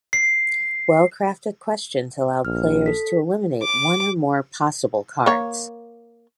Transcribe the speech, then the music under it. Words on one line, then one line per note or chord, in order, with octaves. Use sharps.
Well-crafted questions allow players to eliminate one or more possible cards.
C7
A#1 F6
A4 B6
D6
A#3 C#5